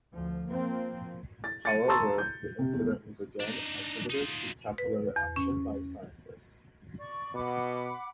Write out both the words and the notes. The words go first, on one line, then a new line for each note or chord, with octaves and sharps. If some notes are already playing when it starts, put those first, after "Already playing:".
However, the incident was again attributed to capillary action by scientists.
D2 F3
F3 A#3 C4
A6
A6 C#7 D#7
A5 A#5 C6 C#6 E6 A6
G6
C3
E2
D4 D#4
D#4 F4
B4
E2
C#4
D5 C#6
B2 F#5 B5 D6